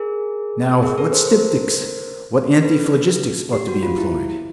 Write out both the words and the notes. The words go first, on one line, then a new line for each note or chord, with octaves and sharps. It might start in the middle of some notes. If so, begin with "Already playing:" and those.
Now, what styptics, what antiphlogistics ought to be employed?
Already playing: G#4 A#4
G#4 A#4
A4 B4
A#4 C5
A#4 C5
A4 B4
G4
F#4
F4
E4